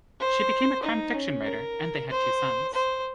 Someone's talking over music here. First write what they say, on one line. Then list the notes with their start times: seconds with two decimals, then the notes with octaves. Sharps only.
She became a crime-fiction writer and they had two sons.
0.20 C5
0.83 D#4
1.15 C#4
1.46 A#4
2.10 C5
2.73 C5